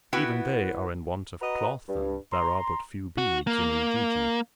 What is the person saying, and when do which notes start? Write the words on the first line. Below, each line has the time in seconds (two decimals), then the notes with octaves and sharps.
Even they are in want of cloth, and there are but few beads in Ujiji.
0.13 B3 E4 F#4 B4 G5
1.42 F#4 B4 D#5 A#5
1.89 G2
2.33 A#5 C6
3.18 F#4
3.47 A#3